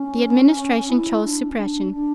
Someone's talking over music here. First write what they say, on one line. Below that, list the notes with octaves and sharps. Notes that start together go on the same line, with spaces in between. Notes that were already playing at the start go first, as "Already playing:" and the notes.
The Administration chose suppression.
Already playing: C#4
E4
D4
C#4
D4
D4